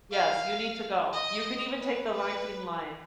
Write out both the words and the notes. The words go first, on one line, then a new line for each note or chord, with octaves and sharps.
Yes, you need to go. You can even take the Viking Line
F5
D#5
B4
B4